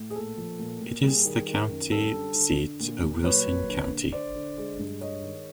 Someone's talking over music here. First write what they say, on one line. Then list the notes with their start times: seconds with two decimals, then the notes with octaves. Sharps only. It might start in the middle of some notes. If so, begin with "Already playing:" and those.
It is the county seat of Wilson County.
Already playing: A2
0.10 G#4
0.15 A#2 A4
0.37 F3
0.59 A#2
0.81 A#2
1.04 G3 G#4
1.25 D#3
1.48 D#3
1.70 F#2
1.92 G3 A4
2.14 D3
2.36 D3
2.58 D3
2.80 A#2
3.02 A#2
3.24 F#3 B4 C#5
3.46 A#2
3.69 D3
3.91 D3
4.12 D3 C5 D5
4.36 D3
4.58 G#3
4.79 G2
5.01 G#3 C#5 D#5
5.23 D#3